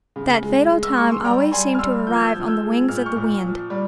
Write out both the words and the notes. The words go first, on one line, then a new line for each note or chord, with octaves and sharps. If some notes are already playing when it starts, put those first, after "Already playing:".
That fatal time always seemed to arrive on the wings of the wind.
C#3
G#3
G#3
E6
G#3 C#6
C6
G3 G5 A#5
G3 G#5 C6
F6
G3 C6 E6
F3 G6
G#6
E6 G6
F3
E6 G6
G#3
A#2 F6
G6
C#6 F6
A#2
F3
G3